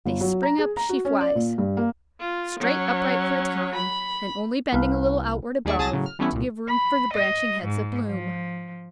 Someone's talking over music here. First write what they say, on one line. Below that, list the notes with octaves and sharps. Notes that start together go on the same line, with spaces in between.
They spring up sheaf-wise, straight upright for a time, and only bending a little outwards above, to give room for the branching heads of bloom.
G1
F#3
A#5
G#4
A#5
F#4
C#4
D5
A#2
G2
A#3
F4
F#3 C#4
B5
C2 B4 F5
D#2 G3 G#4 D5 E5 C#6
C2 G#4 A5 D#6 A6 A#6
A2 C#3 F#3
F6
E3 G3 A3 B3 C#4 E4
C2 A#2
B5
D#5
G#2
F3